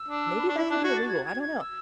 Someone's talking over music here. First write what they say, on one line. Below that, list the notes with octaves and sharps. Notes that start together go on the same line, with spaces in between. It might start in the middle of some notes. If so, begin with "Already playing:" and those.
maybe that should be illegal, I don't know,
Already playing: E6
D4
B5
D4 C#6
D6
E4
E6
D4 F#6
F#4 G#6
A6
G#6
G#6
G#6
E6